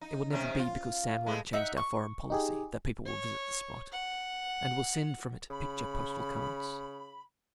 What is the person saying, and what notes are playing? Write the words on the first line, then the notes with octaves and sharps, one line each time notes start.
It will never be because San Juan changed our foreign policy that people will visit the spot, and will send from it picture postal cards.
D#4
C3 D#3 C#4
F4
G#3 A3 B3
D#4 E5 F#5
C#6
D#4 G4 G#4
C#5
F#5
C#3 B5